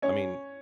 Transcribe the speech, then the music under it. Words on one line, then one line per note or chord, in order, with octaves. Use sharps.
I mean
C#4 C#5